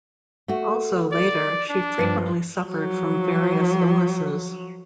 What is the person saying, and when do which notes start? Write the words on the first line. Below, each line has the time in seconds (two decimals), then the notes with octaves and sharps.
Also, later, she frequently suffered from various illnesses.
0.48 A3 F#4
1.12 D5
1.69 D4
1.99 G2 F3
2.65 F3 F#3